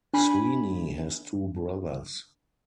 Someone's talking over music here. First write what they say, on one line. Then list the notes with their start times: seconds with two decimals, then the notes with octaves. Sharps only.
Sweeney has two brothers.
0.13 D4 G#5 B5